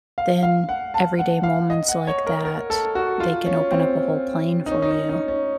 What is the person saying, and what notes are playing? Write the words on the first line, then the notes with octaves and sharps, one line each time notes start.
then everyday moments like that, they can open up a whole plane for you
F5
F5
F#5
A5
F#5
F5
D#5
F#5
C#5
A#4
A#4
A4
F#4
F4
C#4
C4
D#4
C#4
D#4
C#4
D#4
C#4